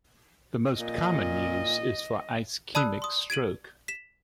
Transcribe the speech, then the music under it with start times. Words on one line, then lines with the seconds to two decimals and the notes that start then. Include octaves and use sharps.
The most common use is for ischemic stroke.
0.79 A#2 D#5
2.75 D5 A5 B5 D#6 E6 F#6
3.02 C6 D#6
3.30 G#6 D7 D#7 F#7
3.88 B6 E7